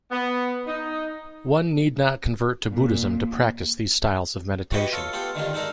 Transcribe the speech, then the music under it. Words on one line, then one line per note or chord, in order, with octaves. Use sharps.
One need not convert to Buddhism to practice these styles of meditation.
B3
D#4
A#2
F#4 G4 B4 D#5 B5 C#6
F4 A4 C#5
B3 F4 G4 A4
D3 D#3 G3 F4
G#2 D4 A4 A#4